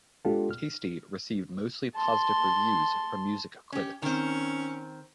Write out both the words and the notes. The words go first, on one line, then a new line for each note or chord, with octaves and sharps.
"Tasty" received mostly positive reviews from music critics.
G#3 B3 D4 F4 G4 A4
F6
A5 C6
C#4 G4
D#3 C4 C#4